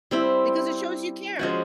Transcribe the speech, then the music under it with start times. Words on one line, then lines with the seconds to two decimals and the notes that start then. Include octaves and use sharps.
Because it shows you cared.
0.11 G3 C4 E4
1.39 F3 G#3 C#4 F#4